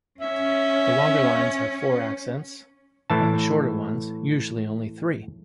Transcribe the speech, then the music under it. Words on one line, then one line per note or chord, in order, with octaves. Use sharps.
The longer lines have four accents and the shorter ones usually only three.
C#4 E5
A2 E3 A5